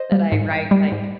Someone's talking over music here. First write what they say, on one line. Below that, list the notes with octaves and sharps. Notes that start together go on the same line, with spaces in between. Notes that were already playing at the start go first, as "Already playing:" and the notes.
that I write, like,
Already playing: C5 D#5
G3
G#2
G3
G3
G#2